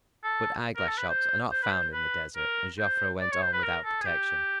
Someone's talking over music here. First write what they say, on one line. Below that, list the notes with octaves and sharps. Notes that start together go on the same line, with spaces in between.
But eyeglass shops are not found in the desert, and Joffre went on without protection.
A4
A#4
A4
B4
C5
C5
B4
C5
B4
A#4
C5
D5
C#5
C5
B4
A#4
A4
G#4
G4